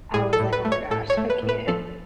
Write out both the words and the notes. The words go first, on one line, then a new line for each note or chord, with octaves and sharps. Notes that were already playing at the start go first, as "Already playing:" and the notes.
I was like, oh my gosh, I can't
A2 G#4
A4
A2
B4
A3
C#5
A2 A4
C#5
A3
B4
A2
B4
F3 A4